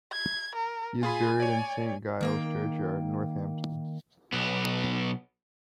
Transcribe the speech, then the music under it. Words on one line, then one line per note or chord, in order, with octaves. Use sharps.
He is buried in Saint Giles's churchyard, Northampton.
G#6
A#4
F4 G#4 G#5 B5
C#5 D5
D#3 A#3 G5
B1 B3